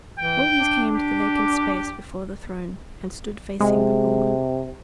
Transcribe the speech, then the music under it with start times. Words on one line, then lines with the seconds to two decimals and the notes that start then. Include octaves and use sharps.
All these came to the vacant space before the throne and stood facing the Ruler.
0.19 E3 G5
0.57 D4
0.95 G4
3.60 C3 G#3